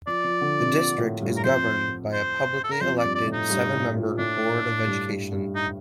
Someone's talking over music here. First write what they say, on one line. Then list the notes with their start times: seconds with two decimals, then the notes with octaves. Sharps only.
The District is governed by a publicly elected seven-member Board of Education.
0.07 F3 D5
0.24 F3
0.41 D3
0.59 C3
0.76 A#2
0.98 A2
1.21 G2
1.37 A#4
1.44 F2 C5
2.13 C5
2.64 A4
2.72 A#4
2.81 F2 C5
2.99 D5
3.04 G2
3.15 D5
3.27 A2
3.33 D#4
3.50 G2
3.73 A2
3.95 A#2
4.18 A2 D4
4.87 G2
5.10 G2
5.32 G2
5.55 D#4